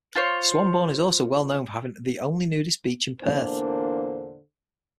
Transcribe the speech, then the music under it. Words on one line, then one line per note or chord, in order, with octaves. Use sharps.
Swanbourne is also well known for having the only nudist beach in Perth.
F4 C5 C#5
E2 A#2 D3 A#3 D4 C5